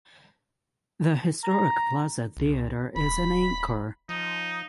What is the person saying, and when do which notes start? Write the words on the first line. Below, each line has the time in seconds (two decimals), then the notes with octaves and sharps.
The historic Plaza Theatre is an anchor.
1.44 A#5
2.37 C2
2.96 D#1 B5
4.09 F3 D#4